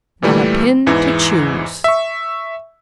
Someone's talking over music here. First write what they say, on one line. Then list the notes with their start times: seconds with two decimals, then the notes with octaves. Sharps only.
Not a Pin to Choose.
0.22 A#2 E3 G3 A3
0.87 E2 G#2 E3
1.84 E5 C#6